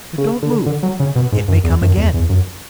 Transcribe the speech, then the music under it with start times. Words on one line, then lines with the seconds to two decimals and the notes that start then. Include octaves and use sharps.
But don't move; it may come again.'
0.18 C#3
0.43 D3
0.66 D3
0.83 F#3
1.00 C#3
1.16 B2
1.32 G#2
1.48 F#2
1.64 E2
1.82 F#2
1.97 E2
2.14 E2
2.29 F#2